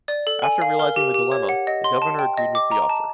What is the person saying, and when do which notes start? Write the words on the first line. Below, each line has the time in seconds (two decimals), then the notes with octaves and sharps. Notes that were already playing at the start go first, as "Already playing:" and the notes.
After realizing the dilemma, the governor agreed with the offer.
0.08 D5
0.27 A4
0.44 G#5
0.62 F5
0.79 A#4
0.96 G4
1.14 G4
1.32 C#5
1.49 F#5
1.67 D#5
1.84 C6
2.02 A5
2.19 G5
2.38 D#5
2.55 D6
2.71 A#5
2.89 A5